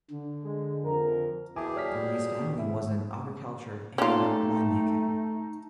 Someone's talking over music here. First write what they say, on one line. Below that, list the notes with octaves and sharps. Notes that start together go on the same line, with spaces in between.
The Reiss family was in agriculture and winemaking.
D3
G#3
F2 A#4
B2 E3 G4 G#4 G#5 A5 D6
G3 C#5 F6 B6
E4
A3 C#4 D#4 F4 G4 A4